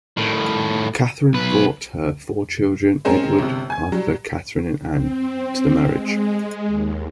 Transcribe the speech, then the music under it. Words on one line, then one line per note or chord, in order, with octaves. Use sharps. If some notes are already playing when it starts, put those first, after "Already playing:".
Katherine brought her four children Edward, Arthur, Katherine and Ann to the marriage.
A2 D#3
B1 B4
G#3 C4 C#4 A#4
G1 C3
G#5 G#6
F#3 G3
C4
G#3
D#2